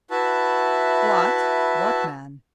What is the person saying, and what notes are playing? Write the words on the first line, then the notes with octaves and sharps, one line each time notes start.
"What--what man?"
E4 F#4 B4 E5 A5